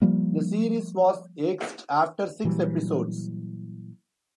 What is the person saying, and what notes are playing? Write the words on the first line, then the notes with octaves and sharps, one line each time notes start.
The series was axed after six episodes.
F3 G3 A#3
A#2 E3 F#3 G3